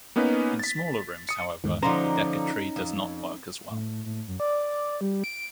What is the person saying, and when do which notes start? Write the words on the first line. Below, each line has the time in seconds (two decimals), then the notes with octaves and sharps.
In smaller rooms however, the Decca Tree does not work as well.
0.16 A#3 B3 C#4 D#4 B4
0.59 A6 B6
1.29 D#6 C#7
1.64 E2 G#2 D#3
1.83 D3 F3 C#4 D#4 C5 A#5
2.76 F2
3.70 A2
4.06 A2
4.28 F#2
4.40 D5
5.01 G3
5.24 D7